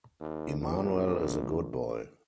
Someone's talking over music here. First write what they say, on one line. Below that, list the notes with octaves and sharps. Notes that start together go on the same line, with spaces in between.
Immanuel is a good boy.
D#2
A#1